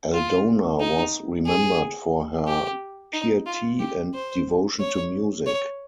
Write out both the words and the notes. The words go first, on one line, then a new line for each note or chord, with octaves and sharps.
Aldona was remembered for her piety and devotion to music.
F4
D#4
G#4
G4
D#4
F4
G4
C5
C#5
C#5